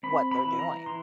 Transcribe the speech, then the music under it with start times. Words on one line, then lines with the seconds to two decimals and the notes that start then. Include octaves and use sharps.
what they're doing.
0.03 C4 B5
0.31 B5
0.45 E3
0.59 A#5
0.86 E3 C6